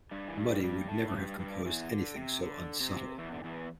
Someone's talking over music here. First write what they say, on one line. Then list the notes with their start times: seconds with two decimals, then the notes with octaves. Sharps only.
Muddy would never have composed anything so unsubtle.
0.11 G2 G3
0.28 E3
0.37 G2 G3
0.63 G2 G3
0.88 A2 A3
1.08 A3
1.14 G2 G3
1.39 G2 G3
1.65 E2 E3
1.91 D3
2.16 C3
2.42 D3
2.80 C3
3.18 E2 E3
3.32 D3
3.44 E2 E3